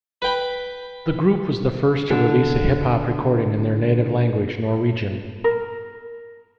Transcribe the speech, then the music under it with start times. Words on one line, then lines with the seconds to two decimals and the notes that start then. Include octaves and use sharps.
The group was the first to release a hiphop-recording in their native language, Norwegian.
0.22 B4 G5 B5
2.10 D3 A4
5.44 A#4